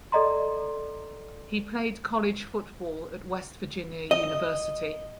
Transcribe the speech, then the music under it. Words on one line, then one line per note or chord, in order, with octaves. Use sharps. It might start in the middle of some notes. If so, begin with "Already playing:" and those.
He played college football at West Virginia University.
A4 D5 D#5 A#5 C6
D#5